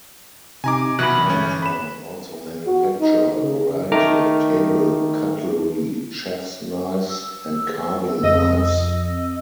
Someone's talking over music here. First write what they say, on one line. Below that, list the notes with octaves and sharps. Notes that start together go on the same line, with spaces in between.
Nontron also manufacture a variety of table cutlery, chefs knives, and carving knives.
C3 D#4 G#5 A#5 D6
B2 E3 B5 F#6
G1 C#4
B5 E7
F#4
D#4
C#3
D#3 A3 A#5 D6 F6
E6
F2 D#5